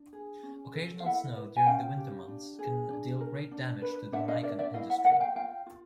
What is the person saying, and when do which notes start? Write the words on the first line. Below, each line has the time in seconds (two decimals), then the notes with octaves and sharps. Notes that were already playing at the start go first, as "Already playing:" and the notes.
Occasional snow during the winter months can deal great damage to the mikan industry.
Already playing: D4
0.13 G#4
0.43 C#4
0.74 A4
1.00 F5
1.05 E4 E5 F#5
1.36 B4
1.56 G#5
1.66 C#4 F5 G5
1.97 G4
2.28 D4
2.59 G#4
2.90 D4
3.21 A#4
3.51 D4
3.82 B4
4.13 D4 E5 F#5
4.28 D#5 F5
4.43 A#4 D5 E5
4.59 D5 E5
4.74 E4 D#5 F5
4.90 E5 F#5
5.05 A#4 E5 F#5
5.20 F5 G5
5.35 F4 F5 G5
5.66 F4